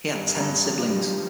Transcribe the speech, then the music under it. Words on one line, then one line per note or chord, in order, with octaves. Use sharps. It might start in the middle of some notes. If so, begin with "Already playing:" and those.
He had ten siblings.
G2 D#3
G2
G2 F3
G3